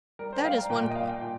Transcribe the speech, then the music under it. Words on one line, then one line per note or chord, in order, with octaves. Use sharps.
That is one point.
G3 A#4
C5
G5
G3 F5
A#5
A#2 G5
G5
D#5
G3 F5
G5
A#2 G5